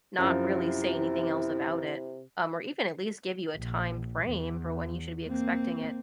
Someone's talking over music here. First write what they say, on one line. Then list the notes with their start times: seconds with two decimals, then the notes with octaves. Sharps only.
not really say anything else about it, um, or even at least give you a time frame for when you should be expecting it.
0.18 F#2 C3 F3 E4
3.56 A#1
4.25 E2
5.29 A#3 C4